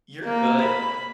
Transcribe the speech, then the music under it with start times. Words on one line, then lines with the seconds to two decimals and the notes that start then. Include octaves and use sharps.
You're good.
0.25 A#3
0.62 B5